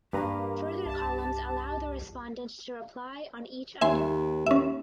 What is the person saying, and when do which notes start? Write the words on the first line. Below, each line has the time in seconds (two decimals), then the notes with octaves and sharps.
Further columns allow the respondent to reply on each item.
0.13 G2 A#3 G4 B4 A#5
0.85 C2 A5
3.81 D#2 E5 G#5 C6
4.46 D#2 C#4 E5